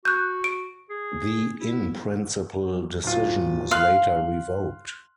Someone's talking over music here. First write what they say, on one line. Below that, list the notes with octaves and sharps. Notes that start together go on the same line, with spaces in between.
The in-principle decision was later revoked.
F#4 F#6 G6
D7
G#4
E4
D1 F4
F5 C6 F6 F#6